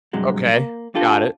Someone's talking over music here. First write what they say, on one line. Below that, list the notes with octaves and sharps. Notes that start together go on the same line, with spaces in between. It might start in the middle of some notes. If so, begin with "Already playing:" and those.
Okay, got it.
G2 C3 F#3 G#3
A#3
D4 F4 G4 A4